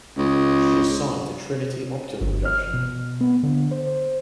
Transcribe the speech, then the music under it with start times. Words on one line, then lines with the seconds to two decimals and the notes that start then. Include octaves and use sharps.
She is signed to Trinity Optima Production.
0.17 C#2
2.21 G1
2.45 F6
2.74 B2
3.21 B3
3.43 D3
3.71 C5